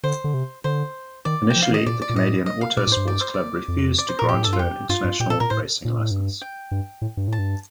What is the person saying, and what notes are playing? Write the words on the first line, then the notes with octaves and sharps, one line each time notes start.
Initially the Canadian Auto Sports Club refused to grant her an international racing license.
D3 C5
D3
C3
D3 C5
D#3 D5
G5
F3
F5
D#3
D#5
A#2 D5
D5
A#2
A2 D#5
D#5
F5
A#2 D5
A2
G2 C5
D5
C5
D5
F2
D5
C5
A#2 A#4
G4
A2
G2 A4
F4
F2 G4
G2 F4
G2
A#2 G4
A#2 A4
A#2 A#4
A2 C5
A#2
A2
G2
G5
G2
A2
G2
A2 A5
G2